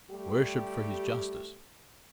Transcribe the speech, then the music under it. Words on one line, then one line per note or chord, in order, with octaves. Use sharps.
Worshipped for his justice!
G3 A3 G4